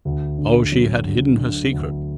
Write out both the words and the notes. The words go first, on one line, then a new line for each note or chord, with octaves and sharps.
Oh, she had hidden her secret.
D2
D3
F#3
D3
D3
D2